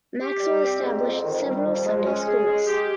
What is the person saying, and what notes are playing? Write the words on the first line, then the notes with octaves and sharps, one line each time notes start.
Maxwell established several Sunday Schools.
G4
G3
C4
G#2
F2
D#3
G3
F2
G#3
C#4
G#4
G#3
G4